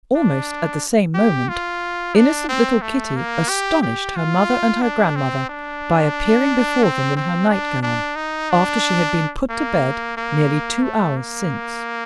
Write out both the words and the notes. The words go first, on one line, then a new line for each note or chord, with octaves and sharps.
Almost at the same moment, innocent little Kitty astonished her mother and her grandmother by appearing before them in her night-gown, after she had been put to bed nearly two hours since.
D4
G4
F4
D4
C4
A3
A#3
G4
G4
F4
D4
C4
D4
C4
C4
D4
D4
D#4
D4
A#3
A#3
A3
A#3